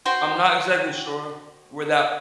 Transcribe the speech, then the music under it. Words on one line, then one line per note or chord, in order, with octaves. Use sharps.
I'm not exactly sure where that
F#4 C5 G5